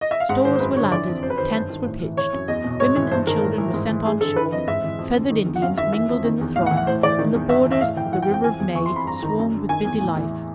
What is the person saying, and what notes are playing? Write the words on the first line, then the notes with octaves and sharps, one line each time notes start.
Stores were landed, tents were pitched, women and children were sent on shore, feathered Indians mingled in the throng, and the borders of the River of May swarmed with busy life.
D#5
E5
F5
G#2 F#5
D#3 C5
C5
F#2 B4
D3 C#5
E3 D5
F2
F#2 C5
B4
D#3 C5
G2
D#3
A2
E3
E3 C#5
F#2
E2 D#5
B2
G#2 C#5
E3
G2 C5
D#3 A#4
A2
E3
G#2
E3
G2 G#4
D3 A4
E3 B4
F2 D#5
G#2 E5
E3
F2
D3
D#3
E2
F#5
F#2 F5
D#3 E5
E3 E5
F2
D#3
E2
A2 F5
F#5
E3
F#5
A2 C5
E3 D5
D#3
E2
G2 E5
E3
E5
A2 F5
E3 G5
E3 F#5
G5
F2
G5
E3 G#5
E2
E3 C#6
C6
F2
B5
G2 A#5
D#3
F#2
D3
D#3 G#5
E2
A2
E3